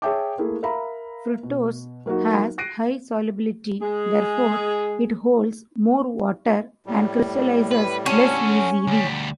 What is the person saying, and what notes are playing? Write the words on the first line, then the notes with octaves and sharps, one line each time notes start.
Fructose has high solubility, therefore it holds more water and crystallizes less easily.
G#4 C#5 E5 G5 A5 D6
A3 A#3 E4 G#4
A#4 E5 F5 A#5 B5
B2
F#3 A#3 D#4 F#4
F#6 A#6 C7 D7 D#7
G#3 G#4
A2 G3
B4
C#4 F#4 A4
D2 G3